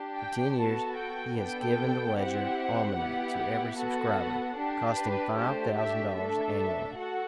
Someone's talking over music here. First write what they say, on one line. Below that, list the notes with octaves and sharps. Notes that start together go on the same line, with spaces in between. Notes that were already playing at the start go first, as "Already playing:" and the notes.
For ten years he has given the "Ledger Almanac" to every subscriber, costing five thousand dollars annually.
Already playing: D4 G4
G5
B3 F#4 A4 A5
G5
B3 D4 A4 G5
C4 E4 G4 F#5
B3 E4 G4
B3 F#4 A4 F#5
D4 G4
B4
A3 D4 G4 C5
E5
A3 D4 A4 E5
F#4 A4 F#5